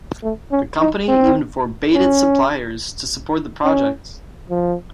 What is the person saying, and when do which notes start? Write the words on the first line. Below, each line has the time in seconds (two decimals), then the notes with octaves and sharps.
The company even forbade its suppliers to support the project.
0.23 A3
0.52 C#4
0.80 D#4
1.08 C4
1.94 C#4
3.64 C#4
4.49 F3